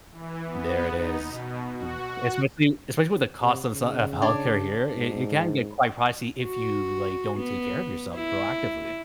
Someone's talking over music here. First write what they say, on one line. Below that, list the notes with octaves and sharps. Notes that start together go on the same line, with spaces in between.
N there it is, um, especially especially with the costs of s of health care here, it it can get quite pricey if you, like, don't take care of yourself proactively.
E3
B3
D#4
B2
F#4
F#4
C3
C#3
D4 C#5 D5
G#2
F#4
B3
E4